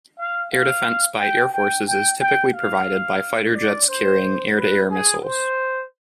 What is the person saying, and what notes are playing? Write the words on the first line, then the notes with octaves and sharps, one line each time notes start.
Air defence by air forces is typically provided by fighter jets carrying air-to-air missiles.
F5
F5
G5
G5
G5
G5
F5
D5
C5
B4
G#4
C5